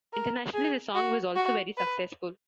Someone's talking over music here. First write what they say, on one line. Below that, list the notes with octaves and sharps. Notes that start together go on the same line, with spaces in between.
Internationally, the song was also very successful.
A#4
G#4
F#4
F#4
B4